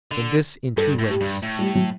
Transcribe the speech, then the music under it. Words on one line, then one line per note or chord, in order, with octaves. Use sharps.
And this in two ways.
D3
G2 A4
A2
G4
G2
A2
G3
F#3